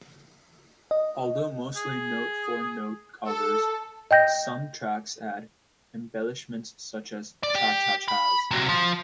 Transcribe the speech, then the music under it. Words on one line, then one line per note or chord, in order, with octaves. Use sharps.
Although mostly note-for-note covers, some tracks add embellishments such as "cha-cha-chas".
D#5
G#4
A4 E6
D#5 G5 G6 A#6
D5
G4
B5
C3 F#4
F3